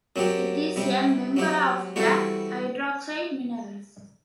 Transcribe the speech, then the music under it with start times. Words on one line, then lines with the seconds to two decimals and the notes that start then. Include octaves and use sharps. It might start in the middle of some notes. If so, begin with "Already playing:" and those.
It is a member of the hydroxide minerals.
0.16 F#2 F#3 C4 G4
0.76 C3 G3 C4
1.37 F#3 C4 G4
1.96 E3 G3 C4 F#4 A4